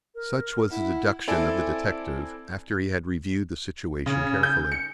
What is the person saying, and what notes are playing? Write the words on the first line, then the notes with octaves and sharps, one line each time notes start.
Such was the deduction of the detective after he had reviewed the situation carefully.
A#4
E4 F#5
C4 E4 A4 D5 G#5
C#3
G6
C#7